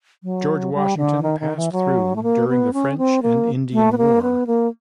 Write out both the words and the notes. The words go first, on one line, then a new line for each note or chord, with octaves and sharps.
George Washington passed through during the French and Indian War.
F#3
G3
D3
D#3
D#3
E3
F#3
A3
A#3
B3
C#4
C4
A#3
A3
B3
A#3
B3
A#3